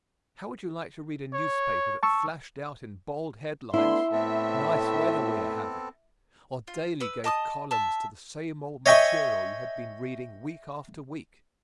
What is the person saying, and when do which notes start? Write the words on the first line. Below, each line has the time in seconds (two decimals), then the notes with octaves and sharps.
How would you like to read a newspaper that flashed out in bold headlines "Nice Weather We Are Having," or daily gave columns to the same old material you had been reading week after week?
1.33 C#5
2.03 A5 C#6 E6
3.74 A3 B3 D4 E4 B5 C6
4.12 A2 B3 C4 A4 E5
6.68 F4
7.00 B4 E6
7.24 D#5 A5 D6 D#6
7.71 E5 A5
8.86 C#5 D#5 E5 G5 G#5 C#6